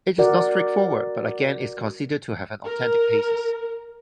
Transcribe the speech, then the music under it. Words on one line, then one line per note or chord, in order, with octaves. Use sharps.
It is not straightforward, but again is considered to have an authentic basis.
F#4 A#4 D5 F#5
A#4